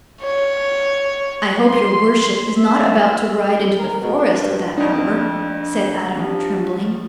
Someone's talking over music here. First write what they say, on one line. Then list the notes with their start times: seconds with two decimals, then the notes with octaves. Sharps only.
"I hope your worship is not about to ride into the forest at that hour?" said Adam, trembling.
0.21 C#5
1.62 C6
2.56 E5
3.59 G3
3.79 A#4
4.00 B2
4.19 D4
4.39 G2
4.78 F2 D4 D#4
6.19 F3 G3